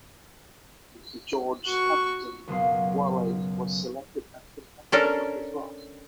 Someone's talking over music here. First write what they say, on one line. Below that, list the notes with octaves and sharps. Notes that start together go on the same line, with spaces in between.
Mr George Hampden Whalley was selected as the captain of the club.
F#4 C#6
C#2 F#2 B2 F5 C6
C#4 D4 A4 A#4